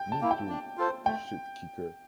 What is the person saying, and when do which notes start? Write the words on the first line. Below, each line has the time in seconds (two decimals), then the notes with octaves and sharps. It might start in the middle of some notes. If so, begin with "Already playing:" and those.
Me too, shit kicker.
Already playing: G5
0.12 A5
0.21 A#3 E4
0.31 G5
0.49 D4
0.77 F4 A4 C5
1.05 A3 G5